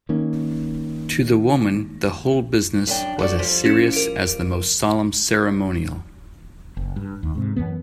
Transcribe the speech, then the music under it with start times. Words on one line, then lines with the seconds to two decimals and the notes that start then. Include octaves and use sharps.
To the woman, the whole business was as serious as the most solemn ceremonial.
0.09 D#3 A#3 C#4
2.87 F#2 D4 G5
3.19 F#4 A4 D5
3.39 F3 G3
3.65 C#4 E4
3.93 A#4 D7
6.77 F#1
6.96 G2
7.23 D#2
7.35 G#2 C3
7.56 F#2 E3 B3